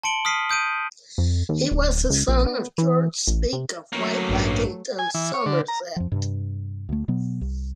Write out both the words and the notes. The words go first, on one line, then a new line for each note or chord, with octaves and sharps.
He was a son of George Speke of Whitelackington, Somerset.
A5 C6 C#7 D7 F#7 G7
D#6 F6 B6 C7 D7 D#7
D#6 G6 D7 D#7
F2
D#2
D1
C#2
A#1
B3
E3
A1
C3
F#3 A3 A#3 C#4
A1 G2
G#5
E3
C#5
D3
A#5
F2 F3
G2 C3
D2 A3
B2 F#3 B3
C2